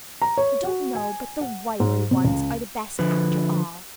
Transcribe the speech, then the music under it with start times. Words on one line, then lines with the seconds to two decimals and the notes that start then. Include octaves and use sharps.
I don't know but the wiry ones are the best after all.
0.22 A#5
0.37 C#5
0.64 F#4
0.95 G#5
1.41 F#5
1.80 G#2
2.11 C3
2.25 C#2
2.99 D3 F3 B4